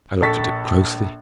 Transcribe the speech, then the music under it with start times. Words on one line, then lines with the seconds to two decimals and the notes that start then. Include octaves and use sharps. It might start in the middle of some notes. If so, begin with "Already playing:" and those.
I looked at it closely.
0.22 A#1 A4 C#6 A6 B6